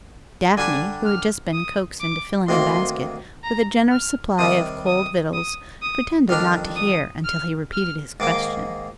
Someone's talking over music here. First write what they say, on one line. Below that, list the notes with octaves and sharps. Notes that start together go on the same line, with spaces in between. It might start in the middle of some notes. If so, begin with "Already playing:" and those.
Daphne, who had just been coaxed into filling a basket with a generous supply of cold victuals, pretended not to hear until he repeated his question.
D3 G3 D4 G4 G#5
F6
D#6
D6
D2 C3 D#3 A#3 C6
A#5
F6
C3 D#3 G3 D#6
D#6
D#6
D#6
F2 D#3 G3 D4 F6
D#6
F6
F6
G#2 D#3 A#3 D6